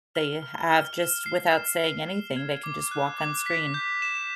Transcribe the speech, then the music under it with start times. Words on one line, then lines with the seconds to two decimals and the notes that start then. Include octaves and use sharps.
they have just without saying anything, they can just walk on screen.
0.15 F6
0.43 F6
0.71 F6
0.98 E7
1.26 C7
1.53 E7
1.80 F6
2.08 F6
2.36 G#6
2.63 D6
2.91 F#6
3.18 D6
3.46 B6
3.74 G6
4.02 E7